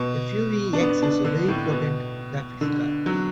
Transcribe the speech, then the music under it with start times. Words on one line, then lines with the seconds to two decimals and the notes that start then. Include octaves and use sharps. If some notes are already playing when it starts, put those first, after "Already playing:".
The Fury X is a very potent graphics card.
Already playing: B2
0.73 D4
0.80 B3
1.02 D4
1.25 D3
1.48 A2
1.71 B2
2.61 D3
3.06 F#3